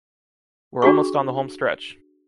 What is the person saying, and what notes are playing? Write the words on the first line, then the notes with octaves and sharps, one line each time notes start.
We're almost on the home stretch.
D4 F#4 G#4 C#6